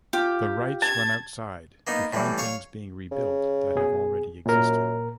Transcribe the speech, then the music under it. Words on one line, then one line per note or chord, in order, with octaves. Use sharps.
The Wrights run outside to find things being rebuilt that have already existed.
F4 G4
A5 G#6
A#3 B3 D#4
A2 E3 G3
C#5 F5 C#6
C#3
B2 G#4
F#2 A#2 A#4